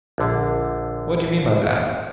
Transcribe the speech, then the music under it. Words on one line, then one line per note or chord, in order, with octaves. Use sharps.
"What do you mean by that?"
A#1 D3